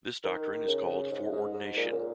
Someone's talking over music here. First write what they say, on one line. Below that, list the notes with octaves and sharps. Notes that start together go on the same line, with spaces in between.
This doctrine is called "foreordination".
D#3
C#3
G#2
G#2
G#2
A#2
C#3
A#2